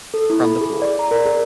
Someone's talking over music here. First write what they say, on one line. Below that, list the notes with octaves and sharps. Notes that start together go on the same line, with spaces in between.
From the floor.
A4
E4
B5
G#4
D5
A#5
A#4
G#4